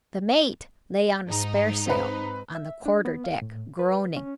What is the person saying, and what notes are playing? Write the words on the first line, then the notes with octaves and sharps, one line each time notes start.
The mate lay on a sparesail on the quarter-deck, groaning.
G#2 D#4
C4 B4
E5
D4
B3
F5
A2
B4
C#4